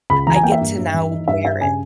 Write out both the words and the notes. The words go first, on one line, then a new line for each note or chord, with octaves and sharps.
I get to now wear it.
C#2 B5
E3 A#5
G#5
A#3 G5
E5
G2
G2
E3
D#4
G2 E5
G2 E5
C#3 G#5